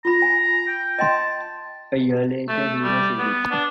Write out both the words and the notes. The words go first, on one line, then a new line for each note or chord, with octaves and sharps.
A year later, he was released.
F4 A#5 B5
G#5
G5
D#5 G5 A5 C6
A3
G3
B3
D4